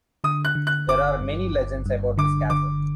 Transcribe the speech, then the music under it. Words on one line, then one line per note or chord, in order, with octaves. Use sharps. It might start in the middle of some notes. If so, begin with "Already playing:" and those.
There are many legends about this castle.
D3 D#6
F#6
D3
F#6
G1 D6
G2
G1
G2
D3 D6
D3 D6